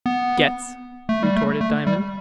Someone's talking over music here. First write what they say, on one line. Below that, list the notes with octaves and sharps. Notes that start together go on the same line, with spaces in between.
"Gets!" retorted Diamond.
B3
A3
G3
A3
A3
G3